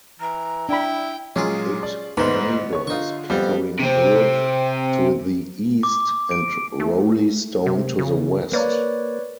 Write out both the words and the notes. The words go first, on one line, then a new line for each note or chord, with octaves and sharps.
It neighbours Pickering Brook to the east and Roleystone to the west.
E3 A#5
D4 E4 G5 B5
A#2 F#3 G#3 C#4 F4 G#4
D5
D2 G#2 B3 A#4 C5 B5
C#5 C#6
D3 D#4 F4 C#6
F2 G3 B3
C3 C4
D6
D7
A3
C3
C#3
A#3 B4 C#5 D5